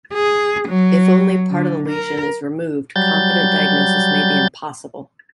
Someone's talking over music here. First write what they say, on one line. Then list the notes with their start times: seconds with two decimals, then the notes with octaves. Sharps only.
If only part of the lesion is removed, confident diagnosis may be impossible.
0.14 G#4
0.68 F#3
1.51 D3
1.88 A#4
2.96 F#3 G3 G6 A6